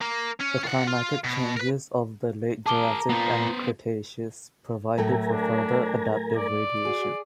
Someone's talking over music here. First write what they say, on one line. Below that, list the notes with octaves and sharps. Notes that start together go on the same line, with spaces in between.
The climatic changes of the late Jurassic and Cretaceous provided for further adaptive radiation.
A#3
C#4
F4 F#5
F4
B2
A#4 B4
G#4 A#4 A5 A#5 D6 G7
A#3 B3 F4 C5
A2 F#3 A3 A#4 G#5 A#5
D4
D5
F#4 G#4